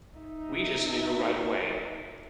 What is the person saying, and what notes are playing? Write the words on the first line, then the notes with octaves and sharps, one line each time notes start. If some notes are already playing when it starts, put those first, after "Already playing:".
We just knew right away.
D#4 E5